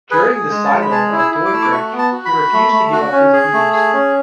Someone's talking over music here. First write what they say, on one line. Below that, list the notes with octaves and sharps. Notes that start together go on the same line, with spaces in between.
During the synod of Dordrecht he refused to give up his views.
G#4 B4
G#4
G#3
A5
G#3
B5
G#4 A5
E4
E6
E4
D6
A3 E6
D6
F#4 C#6
B3
A5
F#4
B5
F#4
A3
A3
F#4
C#4
G#4
A3
G#4
C#4